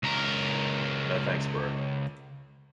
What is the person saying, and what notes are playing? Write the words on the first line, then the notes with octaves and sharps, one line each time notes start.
No thanks bro.
C#2 A#4